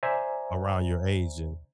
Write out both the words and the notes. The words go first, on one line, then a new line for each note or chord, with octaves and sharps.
around your age and
C5 D5 E5 G#5 A#5